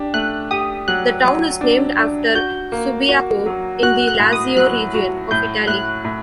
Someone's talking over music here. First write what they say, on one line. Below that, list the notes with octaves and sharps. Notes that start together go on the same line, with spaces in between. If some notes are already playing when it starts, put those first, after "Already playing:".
The town is named after Subiaco in the Lazio region of Italy.
Already playing: D4 G4
A3 F#6
G4 D#6
F#3 F#6
F#3
D4
D4
F#4 G6
A#3
F#4
F#3
F#4 F#6
F#6
A2
D#6
F#3 F#6
F#4
A2 G6
A2 F#6
A2